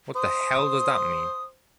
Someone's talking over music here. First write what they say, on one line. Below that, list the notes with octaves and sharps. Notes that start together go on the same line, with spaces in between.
What the hell does that mean?
C5 D#6